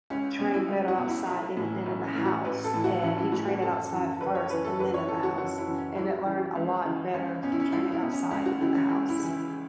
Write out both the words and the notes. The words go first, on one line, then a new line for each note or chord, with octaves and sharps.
trained better outside than it did in the house, and he trained it outside first and then in the house, and it learned a lot better from training outside than in the house.
C#2 C#4
B2 C#4
E4
C#2
F#4
B2
E4
B1
A2 E3
B1
C#4
A2 E3
F#4
A1 B4
A4
A2 E3
F#4
A1 C#4
E4
A2 E3 F#4
F#4
F#1 A4
F#2 E3
F#1 B4
C#5
F#2 E3 B4
A4
F#1 B4
C#5
F#2 E3 A4
F#4
F#1 F#4
E4
F#2 E3
C#4
C#2 E4
C#3 E3
C#2
C#3 E3
C#2 C#4
B2 C#4
E4
C#4
C#2 E4
E4
B2
C#4
C#2 C#4
F#4
C#3 E3 E4
C#4
C#2 E4
E4
C#3 E3
E4